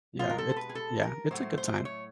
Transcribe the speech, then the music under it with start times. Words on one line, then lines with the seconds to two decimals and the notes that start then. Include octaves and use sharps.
yeah, it yeah, it's a good time.
0.19 B2 G#3 F4
0.30 A#4
0.38 A4
0.49 C5
0.56 B4
0.69 G#4
0.75 A4
1.03 A#4
1.31 A2 F#3 A3 C5
1.58 C5
1.85 C#5